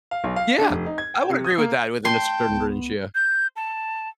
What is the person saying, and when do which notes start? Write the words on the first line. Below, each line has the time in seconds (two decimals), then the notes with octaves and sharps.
Yeah. I would agree with that within a certain range. Yeah.
0.11 F5
0.24 B1
0.36 F5
0.59 D4
0.70 F1
0.86 D#4
0.98 G#6
1.14 G5
1.30 C3
1.44 D#6
1.58 A#3
2.05 G5 A5 C6
2.46 C#2 B3
3.15 G6
3.56 A5